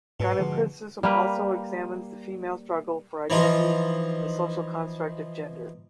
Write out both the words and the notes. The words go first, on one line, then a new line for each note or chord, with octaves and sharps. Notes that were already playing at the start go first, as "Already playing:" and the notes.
Gynocriticism also examines the female struggle for identity and the social construct of gender.
G#2 B2
D3 F3 G#3
G3 A#3 B4
E3 F3 D#4 F4